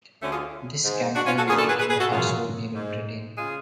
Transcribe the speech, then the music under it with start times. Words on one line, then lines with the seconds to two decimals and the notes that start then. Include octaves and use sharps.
This campaign made him a household name in Britain.
0.22 D2 D3 A3 C#4
0.32 F4 G#4
0.85 G#2
1.16 D4 F#4
1.26 C#4 F4
1.38 F#4 A4
1.48 F#2 F4 G#4
1.52 D3
1.59 F#4 A4
1.69 G#4 B4
1.79 G#4 B4
1.90 G#4 B4
2.00 F#4 A4
2.11 F#2 C#3 F4 G#4
2.75 G#2
3.38 C#3 F4 G#4